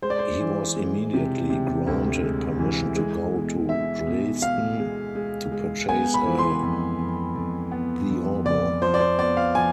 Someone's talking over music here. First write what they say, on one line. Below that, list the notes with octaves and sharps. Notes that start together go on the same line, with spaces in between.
He was immediately granted permission to go to Dresden to purchase a theorbo.
G#3 C5
D5
C5
E3
G#3
C3
C3
D2
G#3
E3
G#3
B2
B2 E5
B2
B2 F5
G#3
G#3
G#3
B3 G#5
B5
E3
C6
F2
F2
F2
B3
F2
F2 D5
F3 C5
D5
C5
B3 D5
F5
F3 G#5